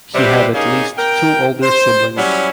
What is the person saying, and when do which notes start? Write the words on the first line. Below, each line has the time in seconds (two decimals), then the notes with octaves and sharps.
He had at least two older siblings.
0.15 C3 G3 G4 B4 C5
0.54 A#3 C#4 D#4 G#4
0.98 A#4 G5
1.63 C5
2.17 F#3 G3 C#4 E4 C#5